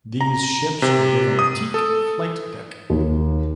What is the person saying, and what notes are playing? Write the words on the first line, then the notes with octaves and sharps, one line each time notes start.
These ships were given a teak flight deck.
A#5
C3
D#6
A4
D#2